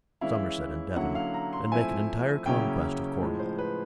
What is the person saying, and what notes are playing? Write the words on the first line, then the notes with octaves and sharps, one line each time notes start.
Somerset, and Devon, and make an entire conquest of Cornwall.
E3 G#3 C#4 E4 F5
D3 F#3 A#3 C#4 E4 F#5
F5
A#5
C6
F3 A3 C4 E4 G#5
C#3 F#3 A#3 C#4 E4 G5
A2 F3 G#3
C5
B4